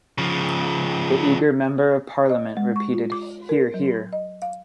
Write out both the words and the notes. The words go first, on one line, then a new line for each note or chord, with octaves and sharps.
The eager Member of Parliament repeated hear, hear.
C#3 F3
D#5
G#3
C#6
F4
D6
A#4
F#3
D#5
F5